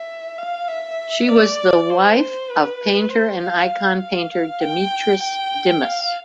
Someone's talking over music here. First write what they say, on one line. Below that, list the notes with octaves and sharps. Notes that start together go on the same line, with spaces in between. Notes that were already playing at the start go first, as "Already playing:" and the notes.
She was the wife of painter and icon painter Dimitris Dimas.
Already playing: E5
F5
E5
D5
C5
B4
C5
F5
F5
G5
G5
F5